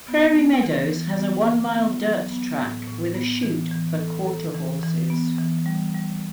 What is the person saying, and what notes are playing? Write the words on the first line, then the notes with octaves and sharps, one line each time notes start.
Prairie Meadows has a one-mile dirt track with a chute for quarter horses.
B3
B3
E3
E3
B3
D3
B3
F#3
B3
A2
A2
B3
E3
E3
A4
A4
E3
E3
B3
E3
G3
G3